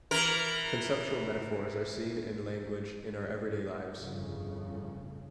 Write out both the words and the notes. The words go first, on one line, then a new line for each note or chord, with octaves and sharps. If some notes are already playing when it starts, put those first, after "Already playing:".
Conceptual metaphors are seen in language in our everyday lives.
E3 A#4
G1 F2 A2 C#3